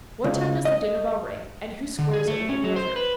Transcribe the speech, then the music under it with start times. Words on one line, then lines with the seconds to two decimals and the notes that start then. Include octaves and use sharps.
What time does the dinner bell ring and who squares it with the grocer?
0.24 C#2
0.65 D#5
1.99 D3
2.13 G#4
2.28 A3
2.49 C#4
2.64 F#3
2.76 C5
2.96 B4